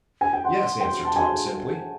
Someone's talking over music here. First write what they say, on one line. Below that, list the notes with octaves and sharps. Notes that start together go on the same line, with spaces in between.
"Yes," answered Tom, simply.
G#5
G5
F#5 C6
G5
A5
G#5